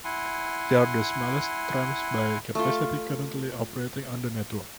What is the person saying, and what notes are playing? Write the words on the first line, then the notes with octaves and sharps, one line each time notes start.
They are the smallest trams by capacity currently operating on the network.
E4 F#5 G#5 C6
A3 F4